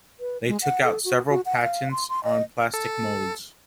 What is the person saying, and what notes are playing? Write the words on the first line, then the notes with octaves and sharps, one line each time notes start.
They took out several patents on plastic molds.
B4
G#3
F#5
A4
F#4
F#4
F#5
F5
C6
C6
D#5
A4